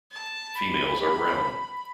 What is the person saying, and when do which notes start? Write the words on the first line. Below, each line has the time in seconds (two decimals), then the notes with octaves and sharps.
Females are brown.
0.12 A5
0.55 B5